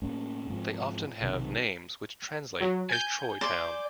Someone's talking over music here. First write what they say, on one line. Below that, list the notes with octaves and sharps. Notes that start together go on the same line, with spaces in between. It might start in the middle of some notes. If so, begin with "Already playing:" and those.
They often have names which translate as "Troy Town".
A2 A#3 C#4
G#2 F3 C4
B1 C3 D#3
F#3
G#5 G6
D5 C6